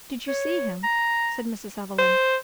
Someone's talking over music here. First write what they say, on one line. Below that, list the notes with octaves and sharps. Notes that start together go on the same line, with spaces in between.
"Did you see him?" said Mrs. Evelyn.
C#5
A#5
C5